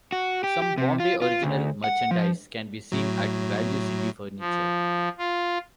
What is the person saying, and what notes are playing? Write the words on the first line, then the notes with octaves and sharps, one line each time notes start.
Some Bombay Original merchandise can be seen at Value City Furniture.
F#4
G4
G4
C3
F4
F4
D2
F#5
F3
A2 F#3
F3
F4